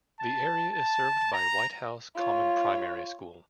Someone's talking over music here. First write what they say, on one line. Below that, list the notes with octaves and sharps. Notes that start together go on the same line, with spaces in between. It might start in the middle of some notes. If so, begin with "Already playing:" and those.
The area is served by Whitehouse Common Primary School.
A5
A5
A#5
F4 C#5